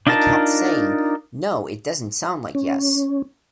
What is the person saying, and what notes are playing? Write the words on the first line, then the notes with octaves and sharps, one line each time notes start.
I kept saying, 'No, it doesn't sound like Yes.
D4 D#4 F4 A#4 A5
C#4